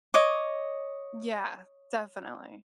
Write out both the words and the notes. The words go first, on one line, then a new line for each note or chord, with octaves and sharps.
Yeah, definitely.
C#5 D#5 D6